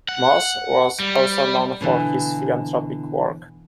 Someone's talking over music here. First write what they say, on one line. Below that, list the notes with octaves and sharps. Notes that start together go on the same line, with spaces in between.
Mosse was also known for his philanthropic work.
F#5
G3
B2 D3 E3